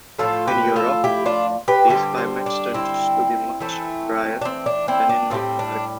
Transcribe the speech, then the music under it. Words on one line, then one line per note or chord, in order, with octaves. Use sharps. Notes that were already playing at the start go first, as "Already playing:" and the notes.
In Europe, these climates tend to be much drier than in North America.
A2 F3 A3 F4 A4
G4 B4
F4 A4
E4 G4
D4 F4
G4 B4
D3 G3 C4 E4 G4
C4
D4
C4 E4
E3 A3 C4
D4
C4
D4
C4 E4
D4
A2 E3 G3 C4
D4